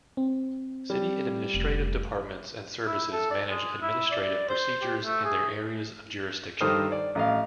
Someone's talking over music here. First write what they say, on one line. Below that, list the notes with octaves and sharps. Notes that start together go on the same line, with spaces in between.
City administrative departments and services manage administrative procedures in their areas of jurisdiction.
C4
G3
F1
E4
A4
D5
G#3
E4
D5
C5
G4
A3
G#4
G2 D#3 A4 C5 D#6 F6
D5
A1 D#5 F5